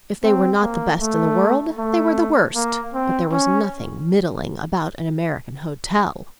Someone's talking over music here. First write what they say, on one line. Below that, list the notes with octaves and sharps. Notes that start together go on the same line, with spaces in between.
If they were not the best in the world they were the worst, but there was nothing middling about an American hotel.
C4
A#3
A3
A3
A#3
C4
C#4